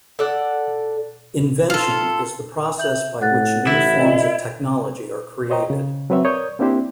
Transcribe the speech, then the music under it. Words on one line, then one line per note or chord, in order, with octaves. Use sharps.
"Invention" is the process by which new forms of technology are created.
A4 D5 F#5
F4 A4
E5 G6 F#7
A2 F#5 F#6 A6
A1 E4
F4 D5 D#5
C5 C#5 D#5 G5 A#5
C#3
F#3 C4 B4 C#5 E5
A#4 C#5 D5 D#6 G6
A#3 C4 D4 E4 G4 C5